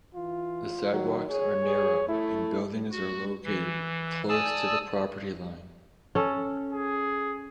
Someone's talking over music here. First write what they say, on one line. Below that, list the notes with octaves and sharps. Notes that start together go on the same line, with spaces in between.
The sidewalks are narrow and buildings are located close to the property line.
E3 F4
D#3 F#3
G#4 C#5
G#4
A3 E4
F#4
E3
D5 G#5 A5 D#6 E6
C#4 A4
G#4